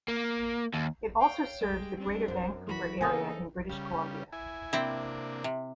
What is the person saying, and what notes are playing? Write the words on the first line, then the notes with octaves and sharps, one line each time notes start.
It also serves the Greater Vancouver area in British Columbia.
A#3
D#2
C#5 F5 G5
G3 G#3 G5
C4 D4
F#2 C5
E3 F#4 B5
C#3 A#3 B3 D#4 A4 G#5 D#6
C#3 G3
E4 G#5
C3 A#3 C4 D4 E4
C3